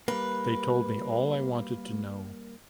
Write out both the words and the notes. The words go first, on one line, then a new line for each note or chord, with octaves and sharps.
They told me all I wanted to know.
G3 A#3 B4